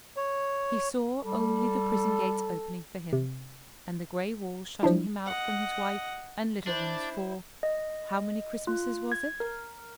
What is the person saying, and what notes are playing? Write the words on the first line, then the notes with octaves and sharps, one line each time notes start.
He saw only the prison gates opening for him, and the gray walls shutting him out from his wife and little ones for--how many Christmases was it?
C#5
G3 A4
C3
F3 F#3 D4 E4
D#5 F#5
D4 E4 C5
D#5
F4
G#6
A#4